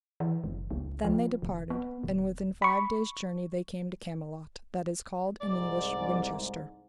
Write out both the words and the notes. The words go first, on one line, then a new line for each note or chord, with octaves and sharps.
THEN they departed, and within five days' journey they came to Camelot, that is called in English, Winchester.
E3
F#1
C#2
F3
D#1
B3
D#1
B5 C#6
C2 G#2 D5